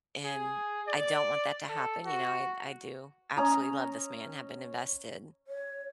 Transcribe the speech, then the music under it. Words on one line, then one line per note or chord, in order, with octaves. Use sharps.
And, I don't want that to happen, you know, I I do absolutely love this man, I have been invested
G#4
D5
A4
F#4
C#4 D#5 A#5
C#5